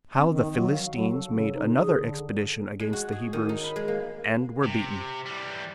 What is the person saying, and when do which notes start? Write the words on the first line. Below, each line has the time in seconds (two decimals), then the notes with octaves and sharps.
How The Philistines Made Another Expedition Against The Hebrews And Were Beaten.
0.17 C4
0.30 D#3
0.55 F#3
0.71 F5
0.93 F#3
1.12 A4
1.37 C#3
1.54 D#4
1.75 G#4
1.99 D3
2.80 G#3
2.93 F#4
3.12 G#4
3.33 D#3
3.49 D#4
3.64 B5
3.76 G#3
3.88 A#3
4.64 C3
5.26 E3 G3